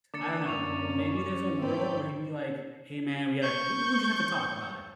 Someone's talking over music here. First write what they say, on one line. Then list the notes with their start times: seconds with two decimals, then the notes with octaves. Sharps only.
I don't know, maybe there's a world where he'd be like, "Hey, man, we gotta we we we just have to talk about it,"
0.14 D3 A#3 D4 D6 D#6 A6 C#7
0.46 F#2 C#4 C#6 F7
1.58 G#2 C4 E4 D5 B5 G6
3.42 C#6 G6